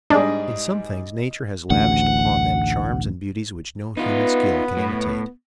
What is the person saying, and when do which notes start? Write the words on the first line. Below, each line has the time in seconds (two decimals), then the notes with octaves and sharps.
In some things nature has lavished upon them charms and beauties which no human skill can imitate.
0.10 G#2 G3 D4 G#4 D#5
1.70 A1 D2 F#5
3.97 B3 D#4 F4
4.77 A2